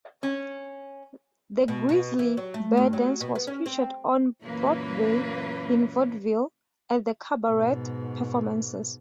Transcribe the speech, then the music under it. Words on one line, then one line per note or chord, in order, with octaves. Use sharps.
The Grizzly Bear dance was featured "on Broadway, in vaudeville, and at cabaret performances".
C#4
B2
B2
E3
F#3
A3
G2
F#3
B2
B3
C#4
C4
F#2 A#2 E3 A#3 B4
G#2 B2